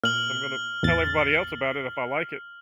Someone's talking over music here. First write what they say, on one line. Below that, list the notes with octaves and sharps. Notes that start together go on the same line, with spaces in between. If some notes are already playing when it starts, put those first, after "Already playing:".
I'm gonna tell everybody else about it if I like it."
A#2 F6 F#7
A1 E2 A6